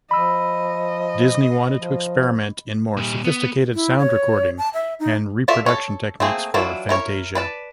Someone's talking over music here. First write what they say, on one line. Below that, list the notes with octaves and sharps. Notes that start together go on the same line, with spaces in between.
Disney wanted to experiment in more sophisticated sound recording and reproduction techniques for "Fantasia".
F3 D#5 B5 E6
F3
A#2 G3
B3
E4
C#5
A5
E5
D#4
F4 F#4 A4 D5 E5
A4 C#5
A3 A#3 C4 G#4
E3 F#3 D4 E4 F4
E4 A#4 C#5
B4 D5 A5